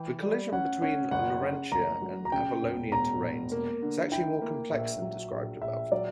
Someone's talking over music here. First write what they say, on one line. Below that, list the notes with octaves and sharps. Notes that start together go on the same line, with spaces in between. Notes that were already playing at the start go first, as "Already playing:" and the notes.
The collision between Laurentia and Avalonian terranes is actually more complex than described above.
Already playing: E3 G5
G3
C#4 F#5
C#4 F#5
F#1 F#5
C#3
F#1 A#5
F#3
A#5
C#3 G5
E1
E1 A#5
E1
A#3
D3
E4 G5
A#3
A#1 E5
F#3
A#1
A#1 E5
F#3 D5